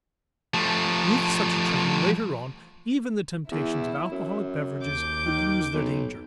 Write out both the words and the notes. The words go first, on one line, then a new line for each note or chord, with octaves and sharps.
With such a training later on even the temptations of alcoholic beverages would lose their danger.
F3 A3
E2 E4
F#2
D#2 D6 G6
D#3
B1